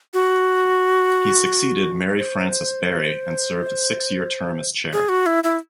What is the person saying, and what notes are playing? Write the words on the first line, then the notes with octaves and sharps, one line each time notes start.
He succeeded Mary Frances Berry and served a six-year term as Chair.
F#4
C5
G#4
F#4
E4
E4